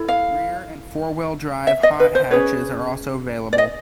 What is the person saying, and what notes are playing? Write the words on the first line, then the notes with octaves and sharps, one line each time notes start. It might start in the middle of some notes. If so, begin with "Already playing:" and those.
Rear and four-wheel drive hot hatches are also available.
Already playing: E4 A4
F5
E5
D#5
B4
C5
C#4 F4 G#4 B4 C#5
D5
D#5